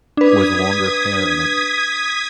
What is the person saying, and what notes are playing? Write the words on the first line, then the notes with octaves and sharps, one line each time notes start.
with longer hair and a p
D4 B4 D#6 G#6 B6